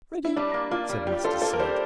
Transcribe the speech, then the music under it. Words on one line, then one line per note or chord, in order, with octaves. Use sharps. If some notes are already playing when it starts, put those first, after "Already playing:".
"Ready," said Mustardseed.
E4
G3 D4
A#3
A#3 F4
G3
G3 G4
F4 A4
A#3 A4
A#4
G3 C5